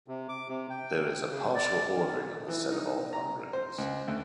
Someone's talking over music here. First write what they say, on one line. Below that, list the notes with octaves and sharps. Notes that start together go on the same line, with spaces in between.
There is a partial ordering on the set of all numberings.
C3
D6
C3
G5
C#3
D5
D#3
E3
D#4
A#5
C5
C#2
D2